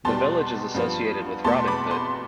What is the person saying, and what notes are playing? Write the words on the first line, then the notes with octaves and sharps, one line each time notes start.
The village is associated with Robin Hood.
E2 B2 G3 A5 C6
G2 F3 B3
E2 B2 A3 A5 C6
B5 D6
A5 C6